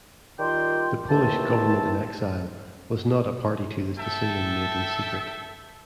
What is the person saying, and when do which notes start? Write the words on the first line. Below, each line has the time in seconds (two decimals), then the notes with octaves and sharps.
The Polish government-in-exile was not a party to this decision made in secret.
0.39 D#3 G3 F4 D5 G5 C6
1.10 D#2 E3 A3 C4 A5
3.98 A4 E5 G5 A5